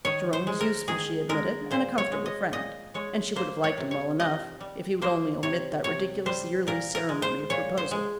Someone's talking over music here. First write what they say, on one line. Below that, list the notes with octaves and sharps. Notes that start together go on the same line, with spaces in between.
Jerome was useful, she admitted, and a comfortable friend; and she would have liked him well enough if he would only omit that ridiculous yearly ceremony of proposal.
D#3 C#5
C5
G#3
A#4
D#3 G#4
G#3 A#4
A#2 C5
C#5
G#3
D#5
A#2 D#5
G#3 C#5
A#3 C5
C#5
C3
C#5
C3 D#5
G3
A#3 C5
C3 C#5
C3 C#5
G3 C5
A#2 A#4
A#4
G#3
C5
A#2 C#5
C5
G#3